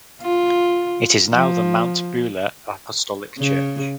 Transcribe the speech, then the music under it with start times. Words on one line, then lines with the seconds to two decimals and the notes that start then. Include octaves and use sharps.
It is now the Mount Beulah Apostolic Church.
0.22 F4
1.32 F3
3.38 C#3